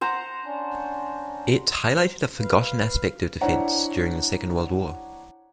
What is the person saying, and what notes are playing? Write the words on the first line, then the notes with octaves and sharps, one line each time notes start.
It highlighted a forgotten aspect of defence during the Second World War.
C5 F#5 A#5
C#4 D4
B4 F5
D4 E4 C5 C#5 F#5 A#5